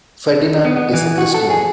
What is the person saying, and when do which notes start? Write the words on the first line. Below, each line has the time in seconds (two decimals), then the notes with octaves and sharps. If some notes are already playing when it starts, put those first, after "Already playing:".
Ferdinand is a Christian.
0.65 B3
0.77 B3
0.93 E3
1.18 F#4
1.34 A4
1.50 G#4